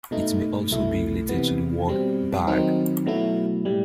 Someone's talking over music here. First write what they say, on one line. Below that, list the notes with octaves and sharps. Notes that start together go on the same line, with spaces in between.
It may also be related to the word "bag".
B2 A3 D#4
C2 B2 A3 E4
C3 E3 B3
B2 G3 C4
D#3 F#3 C4 D#4
B2 F#3 A3 E4
A2 G3